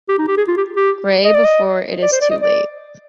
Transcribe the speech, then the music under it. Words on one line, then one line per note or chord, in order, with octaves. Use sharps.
Gray before it is too late.
G4
D#4
G4
G#4
F4
G4
G4
D#5
D5
D#5
D5
C5
D5
D#5
D5